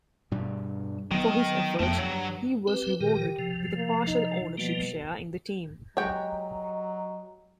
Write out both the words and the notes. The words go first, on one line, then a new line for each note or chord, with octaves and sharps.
For his efforts, he was rewarded with a partial ownership share in the team.
G2 B2 G3
D#3 F#3 B3
F2 A3 B3 G5
G2 F#3
C4 G4 B4
A#2 D#3 G4 A#4
C3 F3
A#3
D#4
B2 F3 G3 A#3
F#3 G#3 F#4 G4 C#5 D#5 G5 A#5